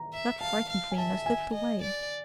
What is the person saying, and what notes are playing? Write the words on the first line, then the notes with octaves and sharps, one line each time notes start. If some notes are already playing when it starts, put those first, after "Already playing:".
That frightened me, and I slipped away.
Already playing: A#5
E5
F5 A5
F5
G#5
E5 A5
G#5
D#5
D5